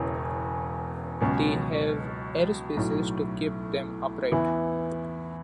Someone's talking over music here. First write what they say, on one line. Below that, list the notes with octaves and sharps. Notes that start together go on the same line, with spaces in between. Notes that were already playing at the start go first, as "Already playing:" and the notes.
They have air spaces to keep them upright.
Already playing: E1 E2 C#3 E3 C#4
C#2 B2 F#3 C#4
B1 A2 F#3
E2 E3 B3 E4